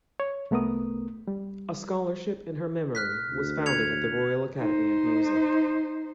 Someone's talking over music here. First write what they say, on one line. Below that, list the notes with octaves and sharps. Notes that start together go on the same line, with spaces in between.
A scholarship in her memory was founded at the Royal Academy of Music.
C#5
C2 A3 B3 A#4 D#6
G3
F6 F#6 B6
D2
G#6 C#7 F7
D#4 C5